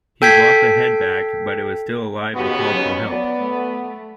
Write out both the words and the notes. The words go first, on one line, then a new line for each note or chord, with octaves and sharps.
He brought the head back, but it was still alive and called for help.
A4 G5 G6 G#6 B6 C7
D#2 C#3 B3 F#4 G4
F#3 C#4
B3 D5
A3